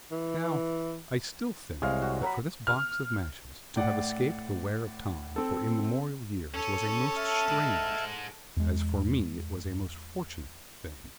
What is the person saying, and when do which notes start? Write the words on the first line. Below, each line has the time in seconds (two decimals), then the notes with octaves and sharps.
'Now, I still think that for this box of matches to have escaped the wear of time for immemorial years was a most strange, as for me it was a most fortunate thing.
0.12 E3
1.82 C2 G#3 C#5 F5
2.02 F#4
2.22 F#3 A#5 B5
2.67 F6
3.76 A2 D5 F#5
5.36 C4 A4
6.54 C#4 A4
7.17 E5 A5 F6
7.49 G#2 G#3
8.57 E2 G#3